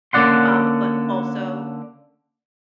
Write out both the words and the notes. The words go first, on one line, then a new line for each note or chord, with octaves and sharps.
Um, but also
D3 A#3 C#4 D5 F#5 C6